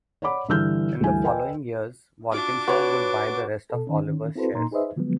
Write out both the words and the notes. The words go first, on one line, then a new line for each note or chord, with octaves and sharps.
In the following years Walkinshaw would buy the rest of Oliver's shares.
C#5 D5 F#5 B5 D6
G2 D3 E3 E6 F6 G6
D2 G2 E3 G#5
B4 D#5 G5 G#5
D4 F4 F#4 D6
F#4 B4 C#5
B2 A4
D#3 C#4
C4 E4 F#4 A4 B4 C5
A#2 A#3 D#4 A#5 C6
D#4 G#4 B4 C5 D#5 E5
D3 F3 F#3 G#3 B3